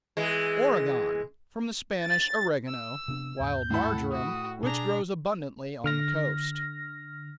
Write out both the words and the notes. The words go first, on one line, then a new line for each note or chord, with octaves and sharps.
Oregon--From the Spanish "oregano," wild marjoram, which grows abundantly on the coast.
E3 G#3
A6
E6
C3 B3 D4
D#2 G#2 G6
A2 A4 F#5 B5
F#4 D#6
B2 D4 G#4 A#5
D3 F6 A#6